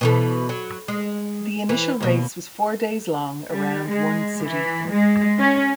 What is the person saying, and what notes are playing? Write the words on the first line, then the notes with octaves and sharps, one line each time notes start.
The initial race was four days long around one city.
B2 E3 A4
F#3
G#3
E3
D#2 B2
G3
G#3
E3
G#3
C#4